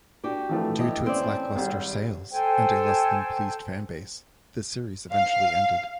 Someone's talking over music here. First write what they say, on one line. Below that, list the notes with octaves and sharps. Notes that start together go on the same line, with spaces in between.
Due to its lackluster sales and a less-than-pleased fanbase, the series eventually ended.
D4 F#4 G4
E3 F3 A3
E4 G4 D#5
C4 C#4 D5
G#1 G3
A4 C5 G5 G#5
F5